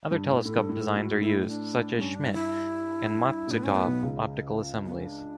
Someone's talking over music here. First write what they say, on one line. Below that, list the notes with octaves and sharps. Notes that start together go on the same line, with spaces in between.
Other telescope designs are used such as Schmidt and Maksutov optical assemblies.
G2
A2 C#5
B4
A2 A4
G2
A2
A2 F#4
A2 E4
E4
D4
G2 C#4
D4
E4
B2
A2 B3
A2 C#4
B3
B1 B2
C#2 C#3
B3
C#4
D4